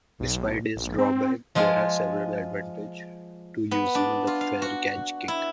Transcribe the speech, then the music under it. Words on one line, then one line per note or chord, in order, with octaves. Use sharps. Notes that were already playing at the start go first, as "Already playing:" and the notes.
Despite its drawbacks, there are several advantages to using the fair catch kick.
B1
A#1
C4
F3 G#3 F4 G#4
B3
D4
F4
F5
F#4
E4